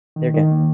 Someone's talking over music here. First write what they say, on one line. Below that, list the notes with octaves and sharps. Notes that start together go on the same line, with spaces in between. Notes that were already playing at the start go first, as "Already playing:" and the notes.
They're done,
D#3
D#3
A#3